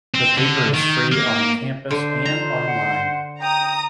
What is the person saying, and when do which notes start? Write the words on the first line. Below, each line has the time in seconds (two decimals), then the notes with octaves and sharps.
The paper is free on campus and online.
0.14 C4
0.37 D3
0.74 D#3
1.12 A#3
1.91 D3 C5
2.25 F4 A#5
2.67 F#5
3.41 G5 A#5 D#6